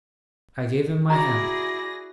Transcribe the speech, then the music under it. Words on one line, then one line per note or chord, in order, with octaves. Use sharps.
I gave him my hand.
E4 F#4 G#4 D5 A#5 A#6